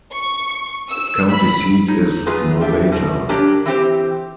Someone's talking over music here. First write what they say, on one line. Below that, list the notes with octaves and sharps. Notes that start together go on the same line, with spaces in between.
Its county seat is Nowata.
C#6
E6
B5
D#4 C#5
F#3 A3 B3 F4 G#4 B4
G2 D4 G4 E5
B2 D#3
F#3 D4 G4 A#4 C#5 D5
E3 C4 G4 C5